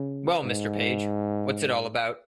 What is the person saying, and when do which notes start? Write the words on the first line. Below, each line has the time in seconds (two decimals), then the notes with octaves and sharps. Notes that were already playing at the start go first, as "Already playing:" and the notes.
Well, Mr. Page, what's it all about?
Already playing: C#3
0.44 G#2